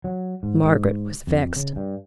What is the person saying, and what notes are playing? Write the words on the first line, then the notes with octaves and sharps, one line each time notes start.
Margaret was vexed.
F#3
G#2
G#2
F2
C#3
G2